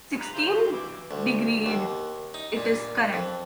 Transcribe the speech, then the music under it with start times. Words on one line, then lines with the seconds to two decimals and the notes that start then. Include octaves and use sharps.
Sixteen degreed: it is correct.
0.20 B4 A#5 B5
0.34 C#3 E3 C5
0.50 F#4
0.72 E3 E4 D6
1.11 D2
1.66 D#2
2.34 D#4
2.57 A#2
3.13 F2